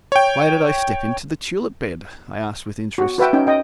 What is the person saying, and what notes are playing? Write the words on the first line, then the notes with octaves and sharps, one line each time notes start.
"Why did I step into the tulip bed?" I asked with interest.
C#5 G5
F#4
F#4 B4 E5 G5
C#4 D#4 G5
D#5 G5